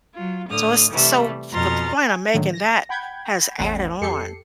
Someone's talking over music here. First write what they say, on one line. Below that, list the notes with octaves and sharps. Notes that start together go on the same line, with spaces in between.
So, it's this So, the point I'm making, that has added on.
F#3 F4
A2 D3 D#6 F6
C3 E3 G3 A3
F2 B2 A#5 C6 F6 A6
G#5
A2 D3 D#3 F#3 A3 A#3
A#6
F#5 G5 B5 G6 G#6
A1 E2 A3 C#4 A4 F#5
F2 G4 A4 C7 C#7